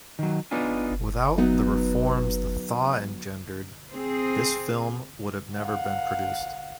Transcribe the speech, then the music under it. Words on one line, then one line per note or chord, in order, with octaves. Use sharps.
Without the reforms the "Thaw" engendered, this film would have never been produced.
D#3 F#3
B3 D4 D#4 F4 G#4
F#3 B3 D#4
C4 G#4
F5 F#5